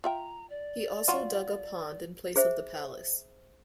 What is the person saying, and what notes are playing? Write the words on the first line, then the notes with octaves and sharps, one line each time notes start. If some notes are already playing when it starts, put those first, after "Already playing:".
He also dug a pond in place of the palace.
F4 E5 G5 A#5
D5
F#3 F4 F#4
G#4 C5 E5